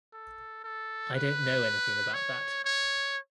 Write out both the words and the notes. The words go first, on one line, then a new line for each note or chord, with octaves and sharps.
I don't know anything about that.
A4
A4
B4
C#5
C#5